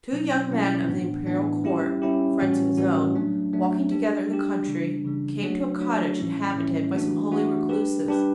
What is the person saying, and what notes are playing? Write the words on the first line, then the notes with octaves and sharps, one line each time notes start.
Two young men of the Imperial Court, friends of his own, walking together in the country, came to a cottage inhabited by some holy recluses.
B2 F#3 C#4 E4
B2 F#3 C#4 E4
A2 E3 B3 D4
A2 E3 B3 D4
G3 C#4 E4 G4
G3 C#4 E4 G4
A2 E3 G3 C#4 F#4
A2 E3 G3 C#4 F#4
F#3 A3 D4
F#3 A3 D4
G3 D4 G4
G3 D4 G4
C#3 E3 G3 D4
C#3 E3 G3 D4
F#3 A3 D4 F#4 C#5
F#3 A3 D4 F#4 C#5
A2 E3 G3 C#4 E4
A2 E3 G3 C#4 E4
E3 A3 D4 F#4
E3 A3 D4 F#4
G3 D4 G4 B4
G3 D4 G4 B4